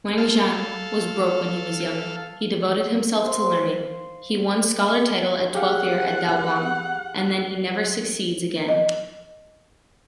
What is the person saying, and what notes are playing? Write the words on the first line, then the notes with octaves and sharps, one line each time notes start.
Wang Zhang was broke when he was young. He devoted himself to learning. He won scholar title at twelfth year of Daoguang, and then he never succeeds again.
A4 F5
C5 F5
G4 G#4 F5 F#5
D#5